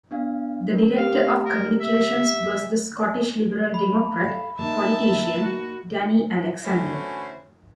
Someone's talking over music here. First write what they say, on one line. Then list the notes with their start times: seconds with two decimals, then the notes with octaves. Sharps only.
The director of communications was the Scottish Liberal Democrat politician Danny Alexander.
0.11 B3 D4 F5
0.73 C#4 A#4 B4
0.98 A3 G4 F5
1.46 A#4
1.81 E5
3.74 B5
4.24 A4 F5
4.59 A#3 D#4 E5 A5
5.42 F#4
6.65 D3 E3 A3 C#4 F#4 C5